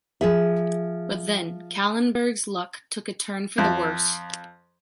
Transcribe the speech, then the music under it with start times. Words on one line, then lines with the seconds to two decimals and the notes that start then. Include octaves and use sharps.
But then Callenberg’s luck took a turn for the worse.
0.21 F3 G#4 E5
3.58 F2